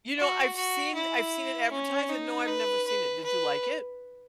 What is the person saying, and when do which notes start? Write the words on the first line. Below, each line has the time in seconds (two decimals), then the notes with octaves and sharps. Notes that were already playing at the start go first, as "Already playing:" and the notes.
You know, I've seen I've seen it advertised and, no, I've never seen it Did you like it?
0.18 F#4
0.56 F#4
0.95 E4
1.72 C#4
2.09 D#4
2.48 B4
2.87 B4
3.24 B4